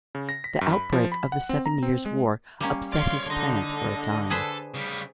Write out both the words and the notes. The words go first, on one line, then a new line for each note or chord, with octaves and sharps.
The outbreak of the Seven Years' War upset his plans for a time.
C#3
A#6
B6
F#2
B5
F3
B5
F#5
C4
A#5
C4
G#3
G3 A#3 C#4
C#5 D5 F5 C6
D3 D#5 A#5
G#4 A4 B4 C5
C#3 G3